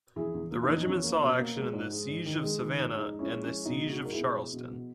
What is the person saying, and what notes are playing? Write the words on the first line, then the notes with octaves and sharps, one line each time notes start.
The regiment saw action at the Siege of Savannah and the Siege of Charleston.
E2 E4 G#4
E2
A#3
D#4
E2
E2 C#4
A#3
B2
A#3
G#3
G#2
G#3
G#2
D#3
G#3
D#3
G#2
G#3 D#4
G#3
C#4 E4
G#3
C#4 E4
G#3
B2 D#4
G#3
D#4 F#4
G#3
A#4
E4 G#4
B2
B2
B2
B2